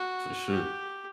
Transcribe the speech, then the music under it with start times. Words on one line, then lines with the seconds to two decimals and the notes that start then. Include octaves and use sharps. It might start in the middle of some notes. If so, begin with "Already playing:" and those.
For sure.
Already playing: F#4
0.50 G4